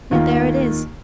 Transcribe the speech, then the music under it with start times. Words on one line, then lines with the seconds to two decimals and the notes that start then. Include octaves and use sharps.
Yet there it is.'
0.11 D#2 D#3 A#3 F4